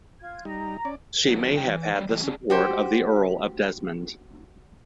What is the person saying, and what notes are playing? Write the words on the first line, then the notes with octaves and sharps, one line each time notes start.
She may have had the support of the Earl of Desmond.
F4 G#6
G3 D#4 A#5
C#4 D5
D#3 F#3 B3
C3 D#4 G4 G5 A#5
E3
G3 C#5 D5
A2 E3 G3 G#4 D#5
C#4 D4 G#4
F#4 G4 C5